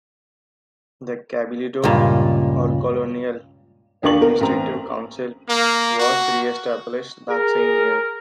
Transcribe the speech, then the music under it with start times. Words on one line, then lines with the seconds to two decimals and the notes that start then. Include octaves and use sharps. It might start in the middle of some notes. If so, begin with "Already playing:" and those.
The Cabildo, or colonial administrative council, was re-established that same year.
1.84 C#2 G2 A#2
4.03 D#2 D3 A#3 D4 C#6 F#7
4.21 B3 A#4
4.41 A1 C4 A#5
5.48 A#3
5.99 F#4
7.29 G#4 A#4